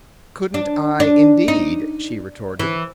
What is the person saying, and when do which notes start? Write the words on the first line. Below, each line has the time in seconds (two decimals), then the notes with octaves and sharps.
"Couldn't I, indeed," she retorted.
0.54 D4
1.00 D4
1.48 D#4
2.59 E3